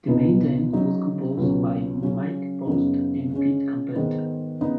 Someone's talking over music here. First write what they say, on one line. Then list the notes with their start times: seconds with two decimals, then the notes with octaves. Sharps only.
The main theme was composed by Mike Post and Pete Carpenter.
0.08 C#2 B2 B3 D#4
0.73 C#3 F#3 D#4
1.37 C#2 B2 F#3 C#4
2.02 C#3 F#3 C#4
2.66 F#2 C#3 B3 D#4
3.31 C#3 G#3 C#4
3.95 G#2 D#3 G#3 B3 D#4
4.61 C#3 B3 D#4